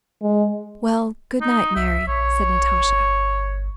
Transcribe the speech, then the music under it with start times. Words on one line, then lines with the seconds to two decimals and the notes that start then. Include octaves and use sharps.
"Well, good night, Mary!" said Natasha.
0.22 G#3
1.41 D#4
1.76 C2 E5
2.08 A#1 C#5
2.79 G1